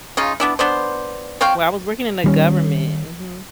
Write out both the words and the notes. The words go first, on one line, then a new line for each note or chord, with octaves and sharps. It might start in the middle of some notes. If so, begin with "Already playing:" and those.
Well, I was working in the government Mhm.
C#3 D#4 F4
B3 D4 E4
B3 D4 C5
C4 C#5 F5 G5
D#3 G3 C#4